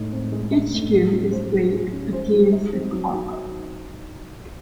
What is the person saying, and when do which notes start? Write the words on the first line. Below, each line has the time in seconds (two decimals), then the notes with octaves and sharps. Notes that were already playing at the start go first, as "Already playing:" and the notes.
Each game is played against the clock.
Already playing: A2 G#3 D#4
0.12 C4
0.32 G#3
0.52 D#4
0.72 A2
0.92 G#4
1.12 C#4
1.32 C5
1.52 F#3
1.72 G#4
1.93 C#4
2.13 C5
2.33 F#3
2.52 D#4
2.73 C4
2.93 F#3
3.13 F#3
3.32 D#4